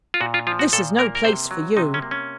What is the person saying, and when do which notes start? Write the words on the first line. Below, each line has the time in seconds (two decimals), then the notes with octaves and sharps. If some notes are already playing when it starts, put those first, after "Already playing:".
'This is no place for you.'
0.14 F4
0.21 A#2 F#4
0.34 F4
0.47 F3 F4
0.59 F#4
0.73 A#2 A4
0.99 A#3 A#4
1.15 A#4
1.25 C3 C5
1.51 F#3
1.76 C3 D#4
1.94 C#4
2.02 A#3
2.11 C#4